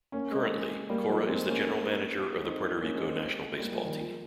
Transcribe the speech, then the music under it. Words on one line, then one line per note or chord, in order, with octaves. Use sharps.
Currently, Cora is the General Manager of the Puerto Rico national baseball team.
A#3 C#4
G#3 C4
G3 A#3
F3 G#3
G#3 C4
A#3 C#4
C4 D#4
A#3 C#4
G#3 C4
G#3 C4
G3 A#3
F3 G#3
D#3 G3
F3